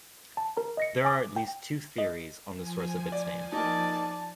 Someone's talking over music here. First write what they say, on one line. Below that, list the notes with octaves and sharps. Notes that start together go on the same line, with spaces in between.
There are at least two theories on the source of its name.
A5
A#4 A#5
D#5 A#6 C#7
G#5 D6
G5
D#5
F3 G#5
D5
A#3 D#4 D5 A5